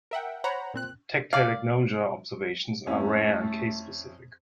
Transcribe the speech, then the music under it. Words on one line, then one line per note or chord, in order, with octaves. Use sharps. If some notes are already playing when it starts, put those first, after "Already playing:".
Tactile agnosia observations are rare and case-specific.
A#4 E5 F#5 G5
C5 C#5 F#5 A#5 B5
A#2 C4 F#6
D5 F5
F2 A3 C#4 E4